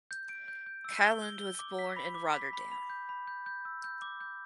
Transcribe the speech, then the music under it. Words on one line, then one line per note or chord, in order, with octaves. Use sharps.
Caland was born in Rotterdam.
G6
D7
G6
G6
E6
G7
G7
G7
D6
B6
B5
D6
B6
B5
B5
G6
B5
G6
G6
E6
G6
D6
G6